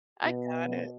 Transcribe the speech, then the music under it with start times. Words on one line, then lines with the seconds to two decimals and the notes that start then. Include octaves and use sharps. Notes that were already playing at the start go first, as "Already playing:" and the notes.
I got it.
0.25 B2